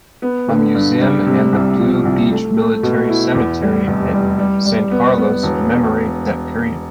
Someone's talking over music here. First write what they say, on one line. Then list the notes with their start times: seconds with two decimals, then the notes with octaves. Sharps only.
A museum and the Blue Beach Military Cemetery at San Carlos commemorate that period.
0.22 B3
0.48 D3
0.75 G2
1.01 G3
1.26 C3
1.52 C2
1.79 F3
2.05 C2
2.31 A3
2.57 A3
2.83 B2
3.09 E4
3.35 E2
3.61 G3
3.87 F1
4.13 G3
4.39 G3
4.65 G3
4.91 B3
5.18 B3
5.43 E1